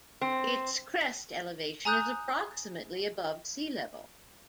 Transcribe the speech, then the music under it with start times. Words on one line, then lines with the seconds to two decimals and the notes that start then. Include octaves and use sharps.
Its crest elevation is approximately above sea level.
0.21 C4
1.85 G#5 A#5 D#6 F#6 G6